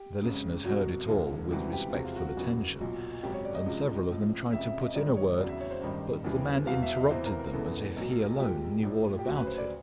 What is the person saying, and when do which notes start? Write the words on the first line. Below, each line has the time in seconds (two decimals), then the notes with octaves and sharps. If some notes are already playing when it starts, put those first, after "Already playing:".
The listeners heard it all with respectful attention, and several of them tried to put in a word, but the man interrupted them, as if he alone knew all about it.
Already playing: G4
0.22 G#1 F#2 C#3
0.65 C2 B2 F#3 F#4
1.08 E1 D2 D3 F3 G#3 F4
1.50 C#2 C3 E3 G3 F#4
1.73 G4
1.90 F4
1.94 E2 C3 F3 G#3 F#4
2.05 F4
2.16 F#4
2.26 F#4
2.37 F#1 E2 C#3 F#4
2.80 B1 A#2 F#3
3.23 G#1 F#2 C#3 F#3 G4
3.34 C#5
3.45 D5
3.55 D#5
3.66 C#2 C3 F3 G#3
4.09 A1 A2 F3
4.52 F1 F2 C#3 E5
4.66 E5
4.81 D#5
4.95 A#1 G#2 D#3 G3 D5
5.17 C#5
5.38 E2 C#3 F#3 D5
5.49 E5
5.60 C#5
5.71 C5
5.81 A1 G2 D#3 G3
6.24 D#2 C#3 E3 G3
6.67 E2 B2 F#3 F5
6.82 E5
6.97 D#5
7.10 E2 C3 E3 C5
7.25 A#4
7.39 A#4
7.53 E1 E2 C#3 E3 G#3 A4
7.96 B1 A2 F#3
8.39 C2 A#2 F3 G#3 G4
8.83 A#1 A2 F3
9.19 G4
9.25 D2 C#3 F#3 F#4
9.37 B4
9.47 C5
9.58 D5